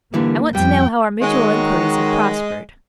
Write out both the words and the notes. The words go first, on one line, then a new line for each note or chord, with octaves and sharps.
I want to know how our mutual inquiries have prospered.'
D3 E3 G3 A#3
F2 G3 G5
D#3 G#3 C#5 F#5